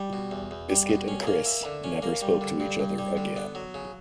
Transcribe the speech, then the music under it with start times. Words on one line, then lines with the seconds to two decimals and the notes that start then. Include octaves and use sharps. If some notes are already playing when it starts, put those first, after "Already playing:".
Biscuit and Chris never spoke to each other again.
Already playing: G3
0.13 B2
0.31 E2
0.51 E2
0.70 G3
0.89 B2
1.08 C#4
1.27 A#3
1.46 E4
1.65 D3
1.84 C#4
2.02 A#3
2.22 G3
2.41 D3
2.60 G2
2.79 G2
2.98 G3
3.17 D3
3.37 B3
3.55 F#3
3.74 C#3